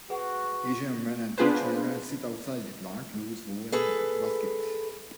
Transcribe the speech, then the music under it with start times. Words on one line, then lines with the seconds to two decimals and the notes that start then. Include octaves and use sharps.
Asian man and two children sit outside with large loose woven basket.
0.10 F#4 G#4 B4 F#5
1.38 B3 D4 F4 G#4 B4 C5
3.72 G#4 A4 B4